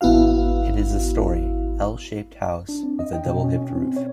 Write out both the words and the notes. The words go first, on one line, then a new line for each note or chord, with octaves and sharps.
It is a -story, L-shaped house with a double hipped roof.
G#1 B3 E4 F#4 F5
D4
C4
D#5
G5
B2
C#4
C#4
C4
C#5